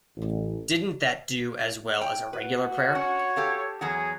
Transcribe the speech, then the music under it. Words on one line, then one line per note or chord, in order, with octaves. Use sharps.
Didn't that do as well as a regular prayer?
A1
G5
F#4 B4
C#4 C#5
G4 A4 F5
E2 F#3 F#4 G#4